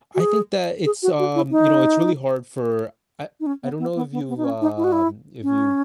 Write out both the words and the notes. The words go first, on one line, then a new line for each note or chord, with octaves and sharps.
I think that it's, um, you know, it's really hard for I I don't know if you've, um if you've
F#4
G#4
G#4
F#4
F#4
E4
D#4
D#4
C#4
B3
B3
B3
B3
B3
D#4
C#4
D#4
E4
F#4
E4
C#4